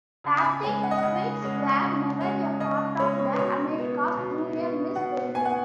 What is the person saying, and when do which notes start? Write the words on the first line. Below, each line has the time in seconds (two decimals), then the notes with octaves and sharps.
Bathing suits were never a part of the America's Junior Miss Pageant.
0.24 C#3
0.39 G#5
0.44 B5
0.63 G#3 C#4 G#5
0.83 F#5
0.91 D#5
0.98 C#3 F#5
1.42 G#3 C#4
1.82 C#3
2.21 G#3 C#4
2.60 C#3 D#5
3.00 G#3 C#4 C#5
3.19 C#5
3.33 B4
3.39 B2 C#5
3.78 B3
4.17 B2
4.57 B3
4.95 B2 F#5
5.35 B3 G#5
5.45 F#5